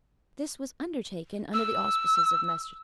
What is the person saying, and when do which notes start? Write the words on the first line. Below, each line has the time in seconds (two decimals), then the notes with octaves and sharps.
This was undertaken under the auspices of Messrs.
1.53 E6